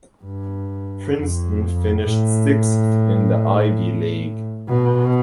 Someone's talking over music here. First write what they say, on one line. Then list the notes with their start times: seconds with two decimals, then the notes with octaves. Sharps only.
Princeton finished sixth in the Ivy League.
0.24 G2
1.13 F2
2.02 A2
4.69 B2